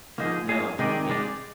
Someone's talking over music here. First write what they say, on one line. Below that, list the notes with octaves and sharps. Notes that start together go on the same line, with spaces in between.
No, it can't.
D3 F3 A#3 D#4 G#4
A#3 D#4 G#4
C3 D#3 G#3 D#4 G#4 D5
G#3 D#4 G#4 D5